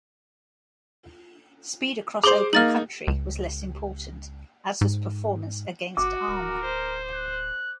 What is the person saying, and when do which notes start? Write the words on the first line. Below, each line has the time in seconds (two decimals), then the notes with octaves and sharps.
Speed across open country was less important, as was performance against armour.
2.24 G#4 C5 D6 F#7 G7
2.53 A#3 D#4 F6 A6 F#7
3.07 C#2
4.81 G#2
5.97 G1 F#4 D6
6.27 D1 A#4
6.65 C5
7.14 F#6